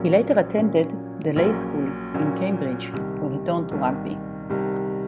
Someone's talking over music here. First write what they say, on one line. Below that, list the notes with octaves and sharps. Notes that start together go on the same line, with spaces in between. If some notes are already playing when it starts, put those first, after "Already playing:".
He later attended The Leys School in Cambridge, where he turned to rugby.
Already playing: A#1 A#2 F#3 A#3 C#4
A#1 A#2 F#3 A#3 C#4
A#1 A#2 F#3 A#3 C#4
A#1 A#2 F#3 A#3 C#4
C2 C3 D#3 G3
C2 C3 D#3 G3
C2 C3 D#3 G3